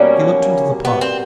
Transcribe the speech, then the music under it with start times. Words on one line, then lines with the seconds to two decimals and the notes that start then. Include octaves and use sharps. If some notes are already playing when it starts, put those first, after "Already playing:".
He looked into the pot.
Already playing: B2 G3 A#3 C#4
0.85 B3
1.01 C4